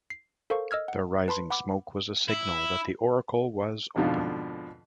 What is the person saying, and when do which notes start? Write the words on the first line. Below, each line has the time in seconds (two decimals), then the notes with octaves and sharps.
The rising smoke was a signal that the oracle was open.
0.10 C7
0.50 A4 A#4 C5 F5 C#6
0.71 D#5 E6 F6 G#6
0.88 F#5
1.28 B4 A5 B5 C6
1.51 F#5 B5 D6
2.28 E4
3.96 F2 G#2 B2 D3 F3